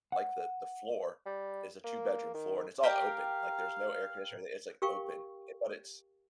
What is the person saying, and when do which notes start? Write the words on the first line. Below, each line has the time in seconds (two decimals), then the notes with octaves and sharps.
like, the the floor is a two bedroom floor, and it's all open. Like, there's no air conditioner or a it's, like, open, eh, but it's
0.12 F#5
1.26 G3
1.84 A#3
2.34 D#3
2.83 G4 A#4 F5 G5
4.82 G4 A#4 F5 G5 C#6